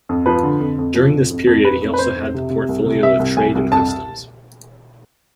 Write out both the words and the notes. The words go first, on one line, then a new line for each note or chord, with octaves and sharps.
During this period he also had the portfolio of Trade and Customs.
F2
F3 B4
D3
F2
F2
F3
F2
F2
F2
F2 B4
F2
B4
F2 C5
F2
C3
C3
C2
C3
C2 E5
C2
C2 G#5
C2
F2 A5